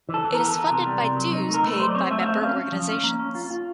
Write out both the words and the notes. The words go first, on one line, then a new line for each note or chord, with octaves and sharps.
It is funded by dues paid by member organizations.
E3
A4
E3
A#4
B3
A4
E3
A#4
C3
G3
C3
F#3
D#4
A3
A#4
A3 B4
F#3 C5
D5
C4 C#5
A3 E5
F5
C4 E5
C#4 F5
C#4
F3
C#4
A#3
C#4
F4
F4